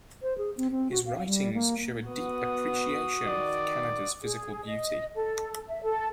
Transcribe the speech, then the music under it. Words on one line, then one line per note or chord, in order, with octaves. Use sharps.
His writings show a deep appreciation of Canada's physical beauty.
C5
G#4
C4
C4
F#4
F5
G3
A#3
B3 F#4 D#6
D#3 D5
G#4
D#5
A4
E5
A4